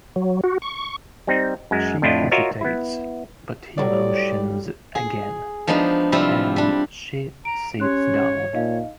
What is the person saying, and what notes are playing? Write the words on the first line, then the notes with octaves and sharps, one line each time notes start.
She hesitates, but he motions again, and she sits down.
F#3
F#4
C#6
G3 C4 D#4
F#2 G#3
F2 A2 D4 E4 F4 D#5
F4 F#4 A#4 C#5 D#5 E5
B3 E4
A2 F#3 G3 D5
G#4
F3 G#3 B3 D4 D#4
C3 F3 G3 E4 F4
G3 D4
A#5 D7
C#4 G4 C#5 C6 F#6
A#2 D#4 D#5 F5